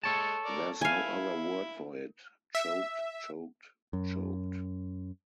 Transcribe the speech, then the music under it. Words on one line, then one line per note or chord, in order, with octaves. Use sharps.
There's no other word for it - choked, choked, choked.
G#3 A4 C#5 A5
A#4 D5
E4 F5 G#5
E5
F#2